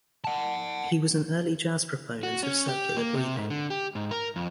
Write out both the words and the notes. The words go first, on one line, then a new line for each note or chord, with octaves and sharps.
He was an early jazz proponent of circular breathing.
F#5 A5
F#4
C#4
G4
A#3
C3
G#2
D3
G4
G#2
A#4
F2